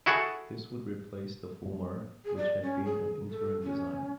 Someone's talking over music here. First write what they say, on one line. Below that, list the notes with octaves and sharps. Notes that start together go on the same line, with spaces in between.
This would replace the Fulmar which had been an interim design.
E4 F#4 G#4 A4 F#5
G#4
D5
C#4
G#4
A4
C#4